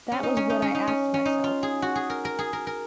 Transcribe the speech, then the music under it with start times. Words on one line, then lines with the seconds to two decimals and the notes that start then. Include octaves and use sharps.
That was what I asked myself.
0.12 C#4
0.23 D#4
0.37 C#4
0.50 D#4
0.62 C#4
0.75 D#4
0.87 C#4
1.14 C#4
1.25 D#4
1.44 F4
1.63 G#4
1.82 F#4
1.95 G#4
2.10 A#4
2.25 A#4
2.39 G#4
2.53 A#4
2.67 A#4